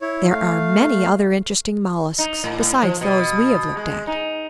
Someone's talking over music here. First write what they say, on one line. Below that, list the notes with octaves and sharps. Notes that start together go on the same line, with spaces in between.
There are many other interesting molluscs, besides those we have looked at.
E4 C#5
A3 F5
D#4
A2
F3
B2
G#3
D#4